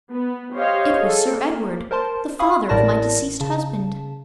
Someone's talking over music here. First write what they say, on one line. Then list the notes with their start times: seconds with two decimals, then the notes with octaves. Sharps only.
It was Sir Edward the father of my Deceased Husband.
0.11 B3
0.54 G4 C5 C#5 D#5 F5
1.00 G#4 A4
1.30 A#3
1.91 A#4 C5 A5 C6
2.39 F5 G#5 B5 C#6 D#6
2.69 A1 A2 A#4 D5 A5 A#6
3.41 C#3 A5